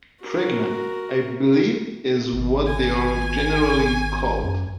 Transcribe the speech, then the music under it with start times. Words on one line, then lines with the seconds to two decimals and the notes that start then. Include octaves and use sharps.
Pregnant, I believe, is what they're generally called.
0.24 F#4 A#4
2.33 G#1
2.67 G#5
4.43 F#2